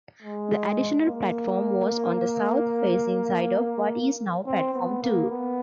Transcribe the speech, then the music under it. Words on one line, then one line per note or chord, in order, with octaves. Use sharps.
The additional platform was on the south-facing side of what is now platform two.
G#3
A#3
C4
B3
A#3
B3